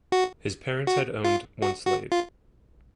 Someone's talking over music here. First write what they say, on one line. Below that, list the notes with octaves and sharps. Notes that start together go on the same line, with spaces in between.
His parents had owned one slave.
F#4
F#4
F4
F#4
F#4
F4